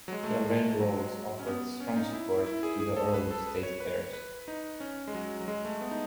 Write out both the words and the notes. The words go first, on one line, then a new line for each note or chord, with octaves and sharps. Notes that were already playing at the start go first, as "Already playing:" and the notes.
The railroads offered strong support to the early State Fairs.
F#3
G#3
A3
G#3
G#3
F#3
G#3
C#4
B3
C#4
D#4
E4
E4
E4
G#4
G#4
A4
B4
A4
B4
C#5
B4
B4
D#4
C#4
G#3
F#3
F#3
G#3
A3
B3
D#4